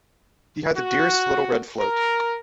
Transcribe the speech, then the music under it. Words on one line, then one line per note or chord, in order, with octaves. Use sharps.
He had the dearest little red float.
F#4
A#4